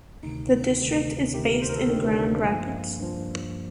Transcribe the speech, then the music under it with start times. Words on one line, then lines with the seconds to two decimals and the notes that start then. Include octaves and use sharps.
The district is based in Grand Rapids.
0.23 D2 C3 D#3 D#4
0.79 D2 C3 D#3
1.34 D2 C3 D#3 G4
1.48 A#4
1.62 C5
1.69 A#4
1.76 A4
1.89 D2 C3 D#3 D4
2.08 D4
2.26 A#3
2.44 G2 F3 A#3
2.99 G2 F3